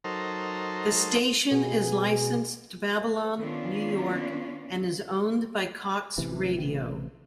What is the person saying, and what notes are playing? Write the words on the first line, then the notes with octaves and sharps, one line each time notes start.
The station is licensed to Babylon, New York and is owned by Cox Radio.
F#3 D#4 A4 A#4 C5
B2 G#4
D#3 B3 C#4 D4 F4
A1 C3 E3